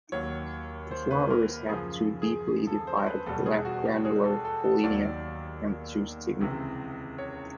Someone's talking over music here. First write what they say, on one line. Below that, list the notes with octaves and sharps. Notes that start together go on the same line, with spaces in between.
The flowers have two deeply divided granular pollinia and two stigma.
D#2 D#3 F#3 C#5
C5
B4
A#4
F#2 C#3 F3 G#4
G#4
A4
C5
B4
E2 B2 G3 A4
G#4
F#4
G4
G#4
A4
A4
A4
D#2 D#3 F#3 D5
C#2 C3 E3
C#5